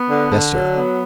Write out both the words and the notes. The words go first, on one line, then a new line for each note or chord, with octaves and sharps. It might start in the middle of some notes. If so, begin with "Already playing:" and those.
"Yes, sir."
Already playing: B3
D3
D3
F#3
B3